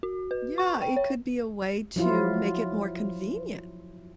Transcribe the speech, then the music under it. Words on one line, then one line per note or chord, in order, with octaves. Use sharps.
Yeah, it could be a way to make it more convenient.
F#4
B4
C#6
G5
C#5
F3 F#3 E4 F4